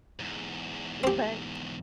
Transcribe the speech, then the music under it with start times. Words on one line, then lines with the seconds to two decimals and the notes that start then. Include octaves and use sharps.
M but
0.20 E2 G#2
1.04 C4 G4